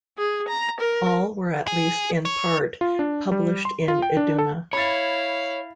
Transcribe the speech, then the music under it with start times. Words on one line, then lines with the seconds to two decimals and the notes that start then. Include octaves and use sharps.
All were at least in part published in "Iduna".
0.18 G#4
0.48 A#5
0.80 A#4
1.67 G#4
2.25 C#5
2.81 F4
2.99 D4
3.32 G3
3.65 C6
3.88 F4
4.02 G5
4.17 D4
4.39 A4
4.73 E4 C#5 F5 B5 A6